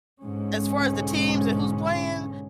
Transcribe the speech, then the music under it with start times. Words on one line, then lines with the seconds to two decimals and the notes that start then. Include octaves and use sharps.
a as far as the teams and who's playing,
0.22 B1 G#2 D3 C#4